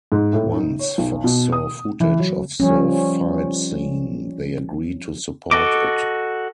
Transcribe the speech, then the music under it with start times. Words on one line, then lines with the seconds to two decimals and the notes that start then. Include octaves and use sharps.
Once Fox saw footage of the fight scene, they agreed to support it.
0.12 G#2
0.33 A2
0.54 D#4
0.79 C#5
0.98 B1
1.24 B2
1.52 D#6
2.00 E3
2.19 F#3
2.60 F3 G3 C#4
5.51 F#4 A4 D#5 D6